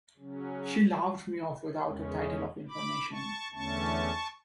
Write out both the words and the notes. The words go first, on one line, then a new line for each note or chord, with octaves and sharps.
She laughed me off without a tittle of information.
C#3 F#3 C#4
E2 C#3 G#3 C#4
B5 D6
A5 C#6
E2 D3 A3 C#4 A5 C#6